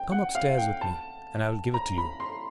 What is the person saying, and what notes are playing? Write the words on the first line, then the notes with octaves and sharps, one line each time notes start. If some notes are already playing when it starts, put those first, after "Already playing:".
"Come up-stairs with me, and I will give it to you."
Already playing: G5
F#5
F5
G5
A5
A#5
B5
C6